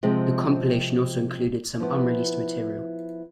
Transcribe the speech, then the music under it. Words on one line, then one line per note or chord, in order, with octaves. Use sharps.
The compilation also included some unreleased material.
C3 F3 G#3 C4
F3 B3 E4